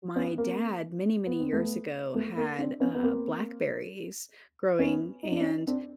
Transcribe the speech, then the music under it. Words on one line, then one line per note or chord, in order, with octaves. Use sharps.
My dad, many, many years ago had, uh, blackberries growing, and
B3 C#4
A#3 C4
B3
C4
A3 B3
A3 B3
A#3
C4 D4
B3 C#4
B3
A#3 C4
B3 C#4
D#4
D4
C#4 D#4
C4 D4